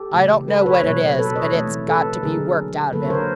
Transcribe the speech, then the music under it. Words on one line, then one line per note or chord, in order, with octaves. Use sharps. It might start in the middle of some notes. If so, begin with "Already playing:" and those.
I don't know what it is, but it's got to be worked out of him.
Already playing: G4 A4
C#3 E3 A3
A4 B4
B4 C#5
B2 F#3 A#3 B4 C#5
A4 B4
C#5 D#5
C3 E3 A3
A4 B4
D3 F#3 A#3 G#4 A#4
D3 F#3 A#3 A4 B4
C#5
A#4 C5